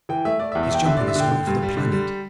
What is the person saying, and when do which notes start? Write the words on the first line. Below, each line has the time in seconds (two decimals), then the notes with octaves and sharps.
He's jumping us all over the planet.
0.09 E3 G5
0.25 A3 E5
0.39 A3 D5
0.52 E5
0.55 E2
0.63 E5
0.71 E2 G5
0.85 D3 E5
0.96 G2 D5
1.08 E5
1.16 D3 G5
1.31 D3
1.47 G2
1.62 G3
1.77 D3
1.92 G3